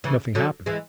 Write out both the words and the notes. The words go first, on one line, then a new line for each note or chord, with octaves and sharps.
Nothing happened.
C#3 E3
D3 F#3
E3 G#3